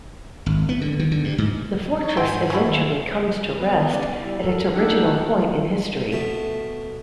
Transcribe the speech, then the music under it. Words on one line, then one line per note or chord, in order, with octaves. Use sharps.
The fortress eventually comes to rest at its original point in history.
G#1
B3
D3
D#3
D3
G2
G#2
E3 C#5
G#2 C4 D#5 F#5 G#5
C#4 E4 G5 A5
D#3 A4 E5 C6
B3 B4
C#3 C#4 D5
G3 E4
A4 A#4
D4 D#4 A4 E5 F#5 G5
A#4
B2 A3 A5